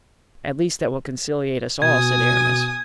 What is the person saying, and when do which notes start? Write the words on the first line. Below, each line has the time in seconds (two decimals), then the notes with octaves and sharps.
"At least that will conciliate us all," said Aramis.
1.82 B2 G#5 D#6 G#6